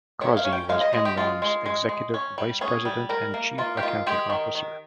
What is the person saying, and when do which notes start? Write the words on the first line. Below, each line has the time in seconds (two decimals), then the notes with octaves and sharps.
Causey was Enron's Executive Vice President and Chief Accounting Officer.
0.21 D#3 C#5
0.37 F5
0.45 C#4
0.52 G5
0.69 G#3 F5
0.81 D#5
0.93 G#3 D#5
1.05 G4
1.17 G#3 F4
1.42 G#3
1.66 G#3
1.89 G#3
2.14 C#4
2.38 G3
2.61 C#4 G#4
2.85 G3
3.09 G3 A#4
3.34 A#3
3.58 A#3 F4
3.77 G4
3.82 D#3 F4
4.07 G#3 G4
4.30 D#3
4.55 D#3